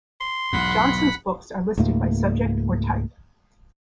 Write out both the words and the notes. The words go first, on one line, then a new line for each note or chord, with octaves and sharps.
Johnson's books are listed by subject or type.
C6
B1 E2 G#2 F#5 B5
C#2 G#2 A3 A#3